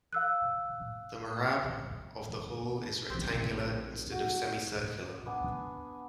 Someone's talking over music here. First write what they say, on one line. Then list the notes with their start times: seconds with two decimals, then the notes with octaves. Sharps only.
The mehrab of the hall is rectangular instead of semi-circular.
0.13 F5 E6 F#6
3.10 A#1 C4 G4
4.12 F#4
5.26 B3 D4 G#5 D#6